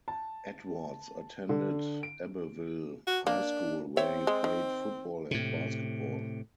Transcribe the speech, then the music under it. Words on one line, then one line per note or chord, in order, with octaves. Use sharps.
Edwards attended Abbeville High School, where he played football and basketball.
A5
D3
D7
F#4
A#3 D4
C4 C#5 E5 G5
G#3
D#3
A2 C3